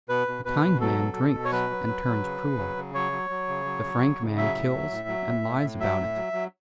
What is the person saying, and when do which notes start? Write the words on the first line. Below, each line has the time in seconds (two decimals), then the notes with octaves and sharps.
The kind man drinks and turns cruel; the frank man kills and lies about it.
0.09 B2 B4
0.28 B2
0.45 B2 B4
0.63 B2
0.81 F#3 A4
0.98 B2
1.16 B2
1.34 B2
1.45 C#5
1.52 F#3 B4
1.70 F#3
1.87 F#3
2.05 F#3
2.23 C#3
2.42 C#3
2.59 F#3
2.77 C#3
2.94 F#3 C#5
3.12 F#3
3.30 F#3
3.48 C#3
3.65 F#3
3.84 F#3
4.01 C#3
4.19 C#3
4.37 F#3 E5
4.55 A2
4.73 F#3
4.91 A2
5.08 F#3
5.27 A2
5.44 A2
5.62 A2
5.80 F#3 E5
5.98 A2
6.15 F#3
6.33 F#3